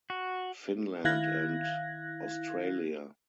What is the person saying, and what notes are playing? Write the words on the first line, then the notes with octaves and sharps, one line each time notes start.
Finland and Australia.
F#4
D#3 E4 F5 F#6 G#6 A#6